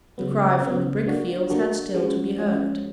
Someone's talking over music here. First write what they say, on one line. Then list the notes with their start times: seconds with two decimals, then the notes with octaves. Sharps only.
The cry from the brickfields had still to be heard.
0.18 C#3 F#3 B3
0.62 C#3 F#3 B3
1.06 D3 F#3 A#3 D4 F#4
1.50 D3 F#3 A#3 D4 F#4
1.94 F3 G#3 C#4 F#4
2.38 F3 G#3 C#4 F#4